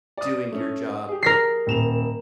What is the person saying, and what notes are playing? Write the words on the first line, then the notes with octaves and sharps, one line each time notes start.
doing your job,
D5 D#6
A3 C#4
G4 G#4
A#4 B6 C7
D#1 E7 F7